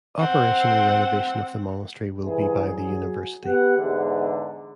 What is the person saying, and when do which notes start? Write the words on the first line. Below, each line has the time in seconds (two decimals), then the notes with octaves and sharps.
Operation and renovation of the monastery will be by the University.
0.19 C4 F#5
2.24 C2 E3 G#4
2.68 F#3 G#4
3.45 B3 G4 F#5
3.77 E2 G#2 D3